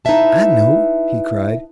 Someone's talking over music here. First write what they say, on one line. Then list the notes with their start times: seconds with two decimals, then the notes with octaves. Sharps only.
"I know," he cried.
0.05 D#4 E4 A4 B4 E5 A5